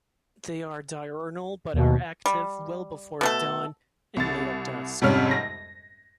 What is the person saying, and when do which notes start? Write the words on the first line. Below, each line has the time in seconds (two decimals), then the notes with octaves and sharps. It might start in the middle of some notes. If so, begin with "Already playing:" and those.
They are diurnal but are active well before dawn and late at dusk.
1.74 D#2 B2
2.26 G3
3.21 B2 A3 A4
4.16 C2 A6
5.02 F2 G#2 C3 G3 C#4 F6
5.31 A#6